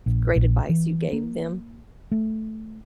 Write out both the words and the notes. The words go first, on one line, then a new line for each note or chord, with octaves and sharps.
great advice you gave them?
A#1
A#1
E3
A#3
A3